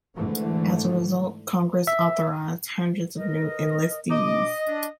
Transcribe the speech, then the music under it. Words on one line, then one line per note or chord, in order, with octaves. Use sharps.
As a result, Congress authorized hundreds of new enlistees.
G#2 D3 E3 A3
E5
A#4 B4 D#5
B2 D4 D#5 D6
D4